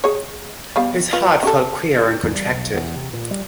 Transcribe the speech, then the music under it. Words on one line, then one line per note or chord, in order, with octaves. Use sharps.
His heart felt queer and contracted.
G#4 C#5
G3 B3 F5
F4 B4
C#4 G4 A4
E2
G3
B1
E2
C3
A#2
G3